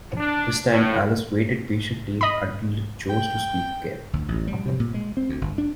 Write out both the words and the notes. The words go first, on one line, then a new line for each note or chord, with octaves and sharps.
This time Alice waited patiently until it chose to speak again.
D4
A2
D#5 B5
G5
D2
A1
G3
C3
A#2
G#3
C4
D2
G1
D4